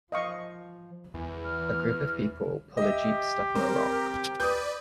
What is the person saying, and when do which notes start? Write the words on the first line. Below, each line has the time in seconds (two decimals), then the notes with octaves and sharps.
A group of people pull a jeep stuck on a rock.
0.12 F3 D#5 F5 C#6
1.14 E2 E3
1.44 F6
2.77 G4 D#5 E5
3.55 C4 A#4
4.40 B4 D5 D#6 G6